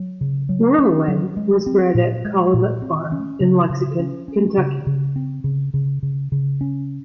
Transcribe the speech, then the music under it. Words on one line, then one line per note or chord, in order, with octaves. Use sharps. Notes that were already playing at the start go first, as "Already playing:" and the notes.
Whirlaway was bred at Calumet Farm in Lexington, Kentucky.
Already playing: F#3
C#3
F#3
C#4
F#3
G#3
C4
A#2
G#3
A#2
C4
C#4
C#3
C#3
C#4
C#4
C#3
C#3
C4
C#3
C#3
C#3
C#3
C#4